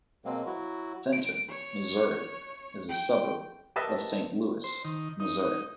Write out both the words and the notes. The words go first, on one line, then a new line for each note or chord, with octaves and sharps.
Fenton, Missouri is a suburb of Saint Louis, Missouri.
B2 F#3 G#3 A#3 C4
F#3 E4 F#4
D7
C#5
G5
G4 A#4 B4 D#5 E5 A5
C5
D#3
D#4
D#4